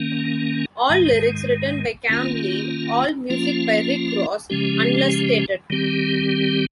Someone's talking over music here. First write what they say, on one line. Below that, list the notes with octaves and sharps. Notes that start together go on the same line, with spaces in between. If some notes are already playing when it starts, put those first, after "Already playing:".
All lyrics written by Kam Lee, all music by Rick Rozz, unless stated.
Already playing: D#3 A#3 C#4
G#2 D#3 G#3
D#3 A#3 C#4 F4
F3 A#3 C#4 F4
C#3 F3 G#3 C#4 G4
D#3 G3 C4 G4